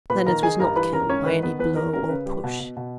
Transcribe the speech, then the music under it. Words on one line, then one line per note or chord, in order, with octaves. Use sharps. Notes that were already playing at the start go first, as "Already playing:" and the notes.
'Leonards was not killed by any blow or push.'
A#2 B4 B5
D#3 A#4 A#5
D#4 G#4 G#5
G2 A#4 A#5
E3 B4 B5
C#4 A#4 A#5
G#2 C#4 C#5
D#3 B4
B3 B4
E2 B4
E3 A#4
C#4 A#4
C#3 B4
G3
B2
B2
B2